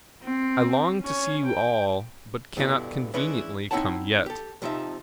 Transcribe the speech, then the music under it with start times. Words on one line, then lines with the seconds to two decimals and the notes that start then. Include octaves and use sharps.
'I long to see you all, but cannot conveniently come yet.
0.23 C4
1.01 C#4 C#5
1.46 G5
2.57 G2 B2 D3 E4
3.14 E3 G#3 C#4 D4 E4 B4
3.71 C4 D#4 E4 C#5 F#5 A5
4.26 G4 A4
4.62 F2 C3 F3 D#4 E5